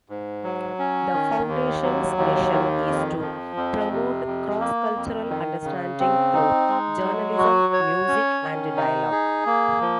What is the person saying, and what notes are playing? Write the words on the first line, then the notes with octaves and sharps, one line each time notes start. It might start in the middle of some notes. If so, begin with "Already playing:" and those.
The foundation's mission is to promote cross-cultural understanding through journalism, music, and dialogue.
G#2
F#3
C#4
D#3
D#2
F#3
D#2
D#3
F2
F3
F2
C3
F2
A#3
F2
D#3
C#3
C4
D#4
G#3
F#3
F#4
C#5
C#4
D#3
D#4
G#4
A#3
F3